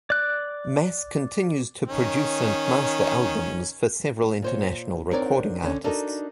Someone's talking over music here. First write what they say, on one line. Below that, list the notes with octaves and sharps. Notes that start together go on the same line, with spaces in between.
Mass continues to produce and master albums for several international recording artists.
D5 F#6
D#3 C#4
A#2 C5 C#5
C4 D4 D#4 A#4 C#5 D5
D3 C#4
D4 D#4 F#4 A4 A#4 D#5